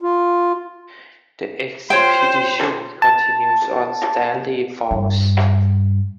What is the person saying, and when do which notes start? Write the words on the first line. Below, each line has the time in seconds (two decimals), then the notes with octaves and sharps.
The expedition continued on to Stanley Falls.
0.02 F4
1.90 F4 C5 C#5 G5
3.02 A5
4.91 G2